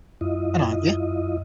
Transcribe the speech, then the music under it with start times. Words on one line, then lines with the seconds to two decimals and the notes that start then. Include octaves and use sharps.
And aren't you?
0.21 F#2 E4 F4 D#5